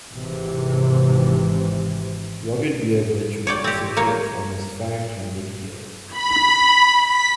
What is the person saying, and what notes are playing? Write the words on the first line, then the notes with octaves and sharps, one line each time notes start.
Roggenbier virtually disappeared for almost five hundred years.
G#1 C3 E3
C#5 D5 G5
C4 G4
A#3 C#5
B5
B6